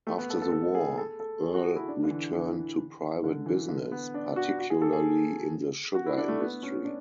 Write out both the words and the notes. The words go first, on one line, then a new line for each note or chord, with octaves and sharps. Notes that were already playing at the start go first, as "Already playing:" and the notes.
After the war, Earle returned to private business, particularly in the sugar industry.
A3
B3
A4
A4
A4
G#4
A4
A4
G#4
F#4
F#4
E4
D4
D3
E3
E3
D3
E3
D3
B3
D4
F#4
F#4
G#4
A4
G#4
F#4
E4
D4
A3
B3
C#4
D4